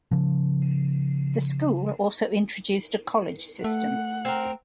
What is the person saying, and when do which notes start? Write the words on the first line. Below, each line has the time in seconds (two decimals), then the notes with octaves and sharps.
The school also introduced a College system.
0.11 C#3 F3
3.64 A3 F#5
4.25 C4 A#4